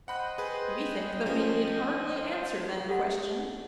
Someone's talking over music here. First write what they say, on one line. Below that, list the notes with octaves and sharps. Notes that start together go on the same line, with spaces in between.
We think that we need hardly answer that question.
C5 D#5 F#5 G5 B5 F#6
G#4 B4
F3 C#4
G4 A4 F#5